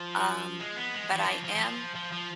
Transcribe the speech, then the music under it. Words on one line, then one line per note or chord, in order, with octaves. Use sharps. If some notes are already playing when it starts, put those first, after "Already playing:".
um, but I am
Already playing: F3
G#3
B3
G#3
E3
F3
F3
E3
F3
F3
F3